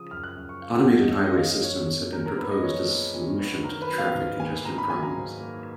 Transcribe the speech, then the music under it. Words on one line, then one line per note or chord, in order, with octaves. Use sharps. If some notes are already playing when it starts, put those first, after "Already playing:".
Automated highway systems have been proposed as a solution to the traffic congestion problems.
Already playing: C#3 F3 D#6
F#2 F6
F#6
F#2
C#6
C#3 F5
F#5
F3 F#5
D#5
F#2 C#5
D#5
F#2 F5
F5
F3 C#5
G#3
A#2 A#4
A#4
B3 B4
D#5
F3 C#5
G#3
A#2
B3
D#3 A#4
B4
F#3
F5
G#2
A#3 G#5
D#3 A#5
B5
F#3 G#5
A#5
G#2
A#3